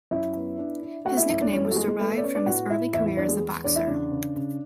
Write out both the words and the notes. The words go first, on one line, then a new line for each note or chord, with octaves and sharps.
His nickname was derived from his early career as a boxer.
F#2 E4 E5
B3
D4
D4
A3 F#4 F#5
E4 E5
F#2 E4 E5
D4 D5
E3 C#4 C#5
A3 A4
F#4
G#3 A3 G#4
G#3 G#4
A3 B3 A4
A3 A4
D5
B3 C#4 C#5
D4 D5
A2 F#4 F#5
A2 E4 E5
E2 E4 E5
E4 E5
E2 D4 D5
G#3 G#4
G#3
E2 D4 D5
E4 E5
C#3 D4 D5
C#3
C#3